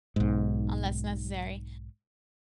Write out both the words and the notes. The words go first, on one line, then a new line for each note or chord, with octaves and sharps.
unless necessary,
B1 G#2